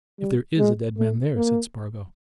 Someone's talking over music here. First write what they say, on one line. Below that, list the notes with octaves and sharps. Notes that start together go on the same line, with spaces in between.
"If there is a dead man there," said Spargo.
G3
G#3
A3
A#3